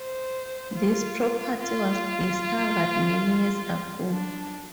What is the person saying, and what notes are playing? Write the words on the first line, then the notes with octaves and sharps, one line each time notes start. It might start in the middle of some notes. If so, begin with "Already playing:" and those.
This property was discovered many years ago.
Already playing: C5
F4
F4
D4